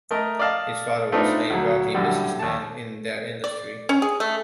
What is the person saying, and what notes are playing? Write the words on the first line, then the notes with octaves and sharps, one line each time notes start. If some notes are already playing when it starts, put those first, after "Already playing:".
His father was a wealthy businessman in that industry.
A3 A#4 D#5
D5 D#5 F5 A5
A3 B3 C4 D4 D#4 F4
D2 F#3
F#2 A2 D3 G3
D#2 A5
D5
C#4
G#4
A3